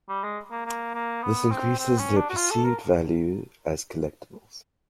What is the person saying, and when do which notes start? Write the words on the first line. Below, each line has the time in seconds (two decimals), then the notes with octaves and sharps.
This increases their perceived value as collectibles.
0.09 G3
0.24 G#3
0.51 A#3
0.66 A#3
0.95 A#3
1.23 B3
1.51 C4
1.79 C4
1.99 C#4
2.17 D4
2.30 F#4
2.37 F4
2.51 A4
2.65 A#4